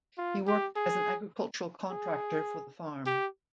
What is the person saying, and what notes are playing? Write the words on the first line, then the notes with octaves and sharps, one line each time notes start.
He worked as an agricultural contractor for the farm.
F4
G4
G#4
G#4
G4